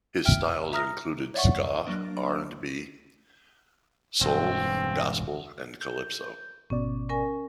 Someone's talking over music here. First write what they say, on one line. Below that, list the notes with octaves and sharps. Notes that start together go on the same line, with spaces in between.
His styles included ska, R and B, soul, gospel and calypso.
E5 G5 F6 D7
E5 A#5 D#6 F6 A#6
C#5 D5 E5 F#5 C#6
F#3 A#3 D4
E1 G2 C4
G6
G#1 B2 C#4 D5
C#4 A#4 G#5